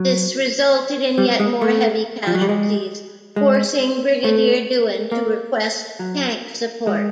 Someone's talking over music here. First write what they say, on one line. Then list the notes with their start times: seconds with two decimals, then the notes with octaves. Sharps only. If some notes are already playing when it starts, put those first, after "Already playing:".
This resulted in yet more heavy casualties, forcing Brigadier Dewan to request tank support.
Already playing: F#3
1.18 G3
1.40 G#3
1.62 A3
2.27 F3
2.34 F#3
2.41 G3
2.49 G#3
3.36 G#3
4.24 A3
5.12 A#3
5.99 F#3
6.87 G#3